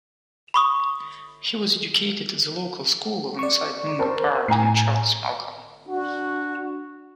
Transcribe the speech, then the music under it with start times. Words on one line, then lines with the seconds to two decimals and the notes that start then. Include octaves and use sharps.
He was educated at the local school alongside Mungo Park and Charles Malcolm.
0.54 B5 C#6 D#6
3.39 D5 C#6
3.99 A#4 C5 A5
4.48 A2 G#5 A#5 C7
5.88 D4 F#4